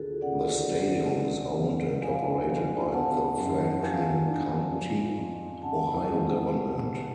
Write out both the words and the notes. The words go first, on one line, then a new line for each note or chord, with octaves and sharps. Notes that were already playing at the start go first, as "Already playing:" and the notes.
The stadium is owned and operated by the Franklin County, Ohio government.
Already playing: D2 F4 F#4 G#4 A4
C#3 D5 F#5
D2
D3
F#1
F2 F5 G#5
F3
B3 F#5 A5
F#2
F3 F5 G#5
D4
F3
F2
C#3 F#5 A5
G#3
B3
B2